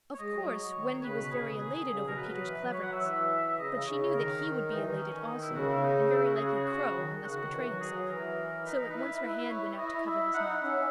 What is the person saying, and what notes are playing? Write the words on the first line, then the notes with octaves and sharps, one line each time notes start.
Of course Wendy was very elated over Peter's cleverness; but she knew that he would be elated also and very likely crow and thus betray himself, so at once her hand went out to cover his mouth.
C#5
G#3 D#5
F#3
C#5
D#3
C#3 B4
B2
C#3 G#4
D#3 G#4
C#3
B2 A#4
F#3 B4
E3
F#3
C#5
F#5
E5
E3
C#3 D#5
C#3
C#3 C#5
D#3 A#4
E3 D#4
D#3
C#4
D#4
E4
B2
C#3 F#4
E4
D#4
E4
F#4
C#3 G#4
F#4
G#4
F#4
D#3
D#3
C#3 F#4
D#3
E3
F#3
F#3 G#4
E3 A#4
D#4 B4
A#4
E4 B4
E4 B4
C#5
E4 D#5
E5
D#4 F#5
C#4 E5